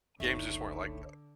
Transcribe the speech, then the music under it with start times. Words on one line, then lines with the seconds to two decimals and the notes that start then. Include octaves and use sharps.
Games just weren't like that.
0.20 F#1 C#2 A2 D3 A3 D#4